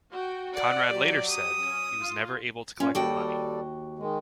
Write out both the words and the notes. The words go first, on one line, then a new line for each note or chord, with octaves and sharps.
Conrad later said he was never able to collect the money.
F#4 G5
D5 F#5
F#3 G4
D#6
C#4
F4
A#2 C#4 F4
D#2 G3 F#4 A4 D5 G5
D#3 G#3